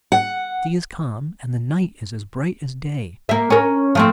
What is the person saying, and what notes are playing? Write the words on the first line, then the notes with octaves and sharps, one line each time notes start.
The sea is calm and the night is as bright as day.
F#5
A#3 E5
C#4 A#4
F3 A3 C4